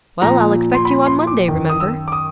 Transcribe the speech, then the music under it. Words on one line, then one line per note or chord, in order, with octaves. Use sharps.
"Well, I'll expect you on Monday, remember."
A#2 F3 A#5
C6
B5
C6
D6
F#2 D#3
D#6
E6
D6
D#6